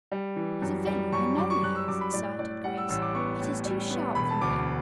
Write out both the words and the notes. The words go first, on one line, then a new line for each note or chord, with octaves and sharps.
"He's a villain, I know he is," asserted Grace, "but he's too sharp for me."
G3
E3
F#2
G3
F#2 C#6
F#2 D6
C#6
F#2 F#6
E6
F#2 D6
B5
A2 D5
A2 D5
G3 F#5
E6
A1 E6
D6
B3 C#6
A2
G3
B3
E1 B5
A5
D2 D6